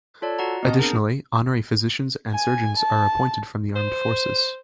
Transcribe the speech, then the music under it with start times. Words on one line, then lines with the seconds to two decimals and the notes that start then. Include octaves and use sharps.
Additionally, honorary physicians and surgeons are appointed from the armed forces.
0.22 F4 A4 C#5 D5
0.39 F#4 F#5 A#5
0.63 B3 C4 D#5 A5
0.79 D4 G#4 A#4
2.32 G#5
2.78 A5
3.76 C5